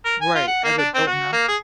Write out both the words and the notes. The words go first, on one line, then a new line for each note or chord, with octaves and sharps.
Right, as a adult now
A#4
G#5
F4
F#5
A#3
D4
C4
F#4
A#3
G#4